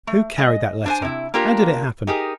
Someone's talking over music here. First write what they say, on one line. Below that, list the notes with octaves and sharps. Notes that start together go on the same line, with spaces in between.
"Who carried that letter? How did it happen?"
A3
G#3 D#5
D4 C5 G#5
C3 E4
A#3 D4 F4 G4 A#4
D#4 G4 G#4 A#4